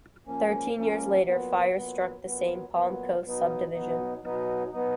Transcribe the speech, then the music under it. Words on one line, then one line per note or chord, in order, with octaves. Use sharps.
Thirteen years later, fires struck the same Palm Coast subdivision.
F3 A#3 C#4
F3 A#3 C#4
A#2 F#3 B3
A#2 F#3 B3
A#2 F#3 B3
A#2 F#3 B3
B2 F#3 B3 D#4
B2 F#3 B3 D#4
B2 F#3 B3 D#4
B2 F#3 B3 D#4